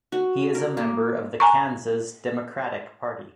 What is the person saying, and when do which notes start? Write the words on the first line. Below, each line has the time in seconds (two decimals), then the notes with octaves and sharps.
He is a member of the Kansas Democratic Party.
0.12 F#4
0.55 A#4
0.77 A#3
1.40 G#5 A#5 C#6